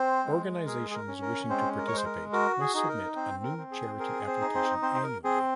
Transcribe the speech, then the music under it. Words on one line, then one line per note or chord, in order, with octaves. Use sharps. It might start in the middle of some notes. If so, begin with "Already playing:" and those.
Organizations wishing to participate must submit a new charity application annually.
Already playing: C4 C5
G#3
G#4 A#4
G#4
A#4
C#4
A#4
G#3 C4 C5
A#4
C#5
G#3 C5
A#4
F#4 A#4
G#4
D#4 G#4
A#4
C4 C5
A#4
C4
G#4
G#4 A#4
C4 C5
D#4
C4 C5
C4 C5
C5
A#4
C4 G#4